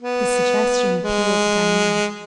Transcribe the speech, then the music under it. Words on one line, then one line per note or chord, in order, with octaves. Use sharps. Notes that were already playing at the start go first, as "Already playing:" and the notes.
The suggestion appealed to Diana.
B3
G#3